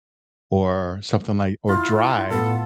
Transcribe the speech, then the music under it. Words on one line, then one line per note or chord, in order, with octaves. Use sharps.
or something like or drive
E4 F4
A2 B3 A4